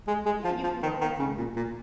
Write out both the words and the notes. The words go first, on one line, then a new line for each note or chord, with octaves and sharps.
Yeah, you can go back and
G#3
G#3
F3
F3
D#3
D#3
C#3
A#2
A#2